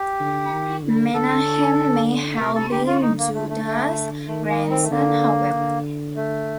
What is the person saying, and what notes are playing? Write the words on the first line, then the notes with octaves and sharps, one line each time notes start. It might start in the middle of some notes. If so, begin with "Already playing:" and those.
Menahem may have been Judas' grandson, however.
Already playing: G4
D3
D#3
D3
D3 A4
C3 A#4
A4
D3 G4
F4
D#4
A#3
A3
A3
A3
D#3 A3
A#3
C4
A3
D3 A#3
D3
A3